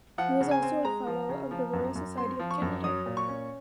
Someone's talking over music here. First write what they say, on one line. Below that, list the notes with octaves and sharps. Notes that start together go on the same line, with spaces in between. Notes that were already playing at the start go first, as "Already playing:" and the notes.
He was also a Fellow of the Royal Society of Canada.
F3 F#5
C#3
G#5
C4
G#3 A#5
F3
C#3
F3
F#2
F#2
C4 C6
F3
C#6
F#2
F#3 D#6
A#2
C#6
C#4